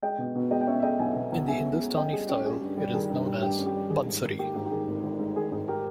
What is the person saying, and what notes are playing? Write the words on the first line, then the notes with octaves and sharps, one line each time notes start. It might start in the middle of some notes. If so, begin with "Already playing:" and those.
In the Hindustani style, it is known as Bansuri.
G#3 D#5 G5
B2
B2
G#3 D#5 G5
G5
C#4 C#5 E5
E5
G#3 D#5 G5
B1 E5 G#5
B2
B1
G#3 E5 G#5
C#4
G#3
C#4 D#5 G5
G3 G#4
C#4 G4
C#4 G#4
G2
G3
D#3 G#4
G2
G3
G2 G4
C#4
G4
G3
D#3 G#4
G#2
D#3
A#3 G4
G#2 G4
G4
D#3 G#4
G#1
G#1
G#2
D#3 G#4
G#2 G#4
G4 A#4